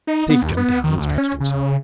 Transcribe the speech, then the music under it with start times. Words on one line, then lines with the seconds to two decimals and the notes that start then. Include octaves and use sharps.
Steve jumped down and stretched himself.
0.07 D#4
0.29 B3
0.42 D#2
0.57 B3
0.84 D#3
0.97 D2
1.18 C#4
1.40 C#3